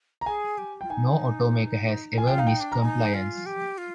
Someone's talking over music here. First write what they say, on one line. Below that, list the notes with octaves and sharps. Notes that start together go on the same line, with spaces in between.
No automaker has ever missed compliance.
A#5
G#4 G#5
G4
F4 G5
D#4 G#5
F4 G#5
G5
D#4 F5
G5
D4
A#5
D#4 G#5
F4
G4
F4